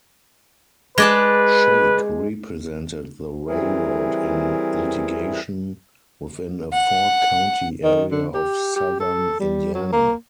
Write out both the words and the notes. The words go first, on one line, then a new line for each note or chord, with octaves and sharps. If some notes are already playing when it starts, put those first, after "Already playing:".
Shake represented the railroad in litigation within a four-county area of southern Indiana.
G#3 B4 D5 A5
E3 G3 C4 E4 G#4 A#4
F#5
D#3
D3
G4
G4
A4
G3
F#3
A#3